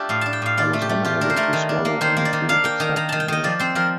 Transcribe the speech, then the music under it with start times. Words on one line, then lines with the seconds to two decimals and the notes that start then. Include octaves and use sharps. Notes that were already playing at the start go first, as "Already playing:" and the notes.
I was unable to swallow any food except milk.
Already playing: A3 D4 F4 G4 A4
0.09 A2 F5
0.21 D4 A5
0.33 G5
0.42 A2 F5
0.57 F4 D5
0.73 A3
0.82 G4
0.89 A3
1.05 F4 G4
1.21 D4 A#4
1.30 C5
1.36 A3 A#4
1.53 D#3
1.69 D4
1.85 A#3
2.01 D#3 C5
2.17 A#3
2.25 D5
2.33 D#3
2.49 D4 F5
2.64 A#3 G5
2.80 D#3 A#5
2.96 D#3 A#5
3.09 D#3 A5
3.20 G5
3.28 D#3 D#5
3.44 F3 D5
3.59 C4 C5
3.75 F3 A#4